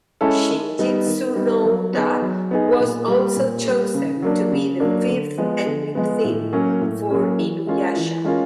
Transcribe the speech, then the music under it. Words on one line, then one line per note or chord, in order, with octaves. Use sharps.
"Shinjitsu no Uta" was also chosen to be the fifth ending theme for "InuYasha".
G#3 C#4 E4 A4
D#3
G3 B3 D#4
D#3
G3 B3 D#4
F#3
B3 D#4 G#4
F#3
B3 D#4 G#4
A#2
G3 A#3
A#2
G3 A#3
C#3
F#3 A#3 D4
C#3
F#3 A#3 D4
D3
F3 G#3 B3
D3
F3 G#3 B3
A2
F#3 A#3 C#4
A2
F#3 A#3 C#4
E3
G#3 C#4 F4 A#4
E3
G#3 C#4 F4 A#4